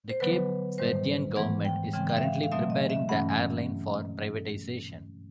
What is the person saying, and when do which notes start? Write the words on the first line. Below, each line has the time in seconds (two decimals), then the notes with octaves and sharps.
The Cape Verdean government is currently preparing the airline for privatization.
0.10 C5
0.20 D3 F#3 B3 B4
0.78 G#2 D#3 G3 C5
1.36 G#2 E3 G#3 B3 F#5
1.65 G5
1.93 C#3 E3 G#3 C4 G5
2.09 G5
2.17 E5
2.23 F5
2.43 F5
2.52 B2 F#3 A3 C4 E5
2.70 D#5
2.90 E5
3.09 G2 E3 A3 C#4 F#5